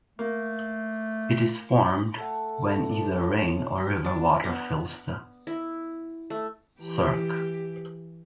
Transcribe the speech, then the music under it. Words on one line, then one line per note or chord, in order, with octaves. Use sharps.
It is formed when either rain or river water fills the cirque.
A3 A#3
A3 A4 F#5
F3 A#3 D5
A2
D4
B3
E4
A3
E3 G4